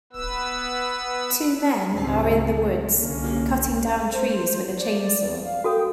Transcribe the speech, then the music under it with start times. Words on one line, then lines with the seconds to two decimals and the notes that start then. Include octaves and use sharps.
Two men are in the woods cutting down trees with a chainsaw.
0.13 B3 B4 E6
1.91 C#2 G#2 D#3 G3 C4
2.92 C2 D3 A#3 C#4
4.12 C5
4.78 D5
5.44 F5
5.64 F#4 A4 G5 D#6